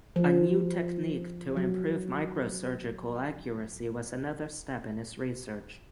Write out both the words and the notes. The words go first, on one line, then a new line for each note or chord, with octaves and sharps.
A new technique to improve microsurgical accuracy was another step in his research.
F3
F#3